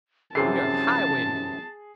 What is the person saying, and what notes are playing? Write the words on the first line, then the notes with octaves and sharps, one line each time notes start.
We are highwaymen.
F#2 C3 E3 C#4 G#4 A5 C7